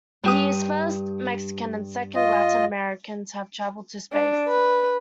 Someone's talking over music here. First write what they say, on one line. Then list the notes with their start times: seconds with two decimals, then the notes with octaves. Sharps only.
He is the first Mexican, and the second Latin-American to have traveled to space.
0.23 G2 G4 D#6
2.15 F4 D#5
4.12 D4
4.48 B4